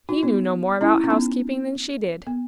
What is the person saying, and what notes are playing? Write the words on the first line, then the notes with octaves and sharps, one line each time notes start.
He knew no more about housekeeping than she did.
D#4 F#4
B3 D#4
C#4 E4
C#4
B3 D#4
B3